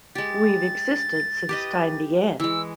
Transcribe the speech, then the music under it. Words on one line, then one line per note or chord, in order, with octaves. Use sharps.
We've existed since time began.
G#3 G4 A6
G4 B4 D#5
E3 G#3 E6